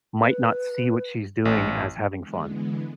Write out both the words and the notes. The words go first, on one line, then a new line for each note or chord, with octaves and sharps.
might not see what she's doing as having fun.
B4
A1
D3 E3 G#3 B3